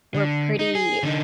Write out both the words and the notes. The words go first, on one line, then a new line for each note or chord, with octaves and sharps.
we're pretty
D3
D#4
G#4
D3 D#4